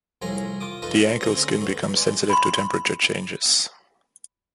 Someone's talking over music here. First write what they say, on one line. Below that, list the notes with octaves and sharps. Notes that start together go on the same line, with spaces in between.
The ankle skin becomes sensitive to temperature changes.
C2 A2 F3 G#4 A#5
F4 D6 D#6
D#4 F4 A4 B4 D#5
D2 C#3 C4 A#5 D#6
A3 B3
G#3 D5
B5 C6